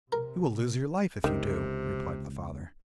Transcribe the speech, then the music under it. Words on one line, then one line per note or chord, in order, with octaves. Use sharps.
'You will lose your life if you do,' replied the father.
C3 A#4
C#2 C3 D#3